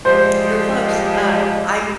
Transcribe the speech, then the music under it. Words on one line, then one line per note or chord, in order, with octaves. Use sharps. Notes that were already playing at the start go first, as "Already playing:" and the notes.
You're close. Uh, I'm
F3 G3 G#3 C5